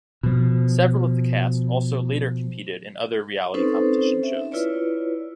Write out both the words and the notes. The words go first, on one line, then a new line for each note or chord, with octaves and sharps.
Several of the cast also later competed in other reality competition shows.
B2 F3
C4 C#4 D#4 A4 B4 C5
E5
E4 F4 B4 C#5 D5